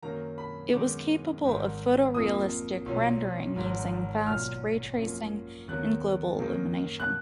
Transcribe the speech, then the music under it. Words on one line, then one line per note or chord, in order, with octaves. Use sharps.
It was capable of photorealistic rendering using fast ray tracing and global illumination.
F#2 D#3 F#3 A#3 A#5
B5
F#2 D#3 G#3 B3 D6
G#1 G#2 D#3
F2 F3 A#3 D#6
B1 A#2 F#3
G#1 G#2 F#3
B1 A#2 F#3 F6
F#2 F3 A#3
D#2 D#3 F#3 B3 F#6
F#2 D#3 A#3
F#6